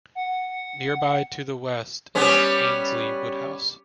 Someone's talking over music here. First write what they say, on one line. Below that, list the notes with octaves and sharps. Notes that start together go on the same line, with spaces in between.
Nearby to the west is Annesley Woodhouse.
F#5
G3 B3 C#4